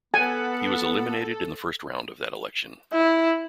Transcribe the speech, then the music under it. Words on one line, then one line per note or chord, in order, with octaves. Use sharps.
He was eliminated in the first round of that election.
B3 A4 B4 F#5 G#5
E4